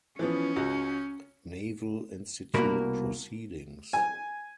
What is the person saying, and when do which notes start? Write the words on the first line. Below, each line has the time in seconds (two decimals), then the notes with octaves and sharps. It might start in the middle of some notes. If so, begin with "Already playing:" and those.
Naval Institute "Proceedings".
0.19 E3 F3 B3 C#4
0.56 C#2 F#4
2.54 C2 B2 A#3 F#4 A#4 B5
3.93 G#5